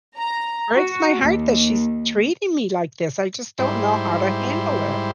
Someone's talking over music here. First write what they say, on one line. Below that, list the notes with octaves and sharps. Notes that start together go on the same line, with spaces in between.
breaks my heart that she's treating me like this, I just don't know how to handle it.
A#5
F#4
D#2
G#2 G3 E4 C5